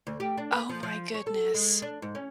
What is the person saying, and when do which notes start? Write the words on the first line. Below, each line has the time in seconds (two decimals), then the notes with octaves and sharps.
Oh my goodness.
0.07 D2
0.20 G4
0.38 D4
0.52 B4
0.69 F3
0.83 F3
1.14 C#5
1.27 A4
1.54 G#3
1.82 D4
2.02 G#2
2.15 C#4